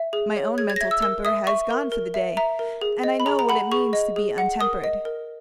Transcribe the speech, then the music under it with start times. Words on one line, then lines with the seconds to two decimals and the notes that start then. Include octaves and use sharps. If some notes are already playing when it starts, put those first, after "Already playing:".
My own mental temper has gone for the day, and I know what it means to be untempered.
Already playing: E5
0.13 G#4
0.36 C#5
0.58 G#4 G#6
0.70 G#6
0.76 A#6
0.81 E5 G#6
0.91 E6
1.02 A#4 E6
1.25 E5 D#6
1.47 E5 C#6
1.71 A#4
1.92 A#4
2.14 E5
2.37 E5 A#5
2.59 A#4
2.81 G#4
3.04 D#5
3.20 B5
3.26 G#4 A#5
3.39 A#5
3.49 F#5 B5
3.72 G#4 C#6
3.93 D#5
4.16 G#4
4.38 F#5
4.61 A#4 D#6
4.84 D#5
5.05 A#4